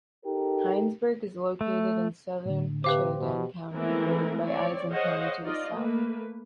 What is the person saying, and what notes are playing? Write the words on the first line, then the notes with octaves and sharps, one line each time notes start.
Hinesburg is located in southern Chittenden County, bordered by Addison County to the south.
D#4 G4 A4 A#4
A3
A2 D3
C3 G4 B4 C5 F5 D6
B2
E3 G#3 A3 B3 C4 A#4
C4 C#5 D5
G#4 C5 C#5 D#5 F5 F#5
D#4 F4 D5 D#5
A3 A#3 B4